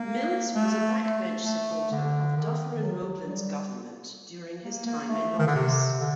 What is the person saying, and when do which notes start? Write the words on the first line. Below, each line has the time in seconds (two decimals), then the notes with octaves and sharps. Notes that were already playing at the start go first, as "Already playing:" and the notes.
Mills was a backbench supporter of Dufferin Roblin's government during his time in office.
Already playing: A#3
0.55 A3
1.01 A3
1.46 A3
1.91 D3
2.37 D#3
2.76 D#3
2.83 F#3
3.28 G3
4.64 A#3
4.86 A#3
5.09 A3
5.39 D#3
5.47 D3
5.55 C3
6.00 D3